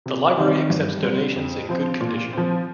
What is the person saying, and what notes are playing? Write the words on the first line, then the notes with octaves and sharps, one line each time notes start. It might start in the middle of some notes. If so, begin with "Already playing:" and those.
The library accepts donations in good condition.
C3
D#3 C4 D#4
G2
G3 C4
F2
F3 C4
A#2
F3 C4